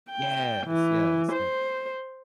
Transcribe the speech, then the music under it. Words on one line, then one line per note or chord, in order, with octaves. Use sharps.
Yes, yes, yes.
G5
E3
C5